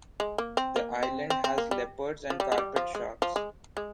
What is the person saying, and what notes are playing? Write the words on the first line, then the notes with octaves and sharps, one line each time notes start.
The island has leopard and carpet sharks.
G#3
A#3
C4
A#3
C4
C4
C4
A#3
G3
F3
G3
G#3
G3
F3
G#3
F3
G#3
G#3